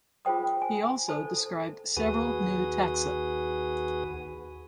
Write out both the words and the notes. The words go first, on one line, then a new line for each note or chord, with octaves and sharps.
He also described several new taxa.
F4 G#4 C5 G5 D#6
G#5
A4 C5 A5
D#2 F#4 G#4 B4 D#6